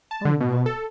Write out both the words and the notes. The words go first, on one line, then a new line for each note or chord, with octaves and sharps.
"Oh no."
A5
D3
B2
A4